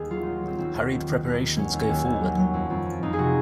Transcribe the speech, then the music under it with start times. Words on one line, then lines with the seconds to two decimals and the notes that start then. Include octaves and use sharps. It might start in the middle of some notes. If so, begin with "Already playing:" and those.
Hurried preparations go forward.
Already playing: D#2 G#4
0.10 F#3 F4
0.23 F#3 D#4
0.43 F#3 C4
0.59 D#2 C4
0.75 D#2
0.92 D#3
1.09 D#3
1.24 D#2
1.40 D#3
1.56 F#3 C#4
1.73 D#2
1.81 C#4
1.89 D#2
2.06 D#2
2.21 F#3
2.37 F#3
2.54 F2
2.70 F2
2.86 F3
3.02 F2 D#4
3.13 G#4
3.18 C3 F#4